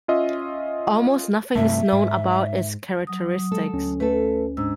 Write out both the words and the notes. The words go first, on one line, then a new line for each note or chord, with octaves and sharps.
Almost nothing is known about its characteristics.
C#4 F4 D#5 E5
G2 C3 A3 E5
G#2
F#3 D#6
G#3 A4
D2 C#4
A3 A4 B4
G#2 D4 E6